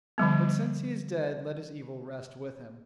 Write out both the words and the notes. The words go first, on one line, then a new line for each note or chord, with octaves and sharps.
But since he is dead let his evil rest with him.
D3 F3 G3 B3